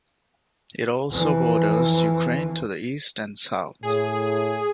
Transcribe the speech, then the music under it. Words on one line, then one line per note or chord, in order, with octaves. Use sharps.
It also borders Ukraine to the east and south.
F2 E3
A2 G#4